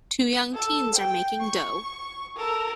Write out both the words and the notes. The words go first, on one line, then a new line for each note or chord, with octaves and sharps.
Two young teens are making dough.
A4
G5
C#6
A4 A#4